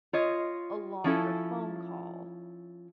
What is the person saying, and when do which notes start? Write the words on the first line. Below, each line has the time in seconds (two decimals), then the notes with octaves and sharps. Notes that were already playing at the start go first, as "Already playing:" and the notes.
a longer phone call
0.13 F4 C#5 D#5
1.04 F3 C#4 E4 A4